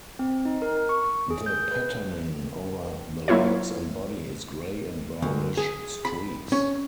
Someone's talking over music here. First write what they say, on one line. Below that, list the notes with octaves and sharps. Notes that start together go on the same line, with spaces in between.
The patterning over the legs and body is grey and brownish streaks.
C4
D#4
A#4
C#6
G#4
G6
B4
F#3 A#3 E4 F4 C#5
D2
G#4
B5
C#4